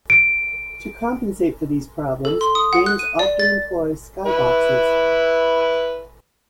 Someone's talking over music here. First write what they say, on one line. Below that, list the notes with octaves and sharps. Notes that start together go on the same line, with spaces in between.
To compensate for these problems, games often employ skyboxes.
D7
A4
C6
D#6
F#5
F#6
D#7
D5
A6
E4 B4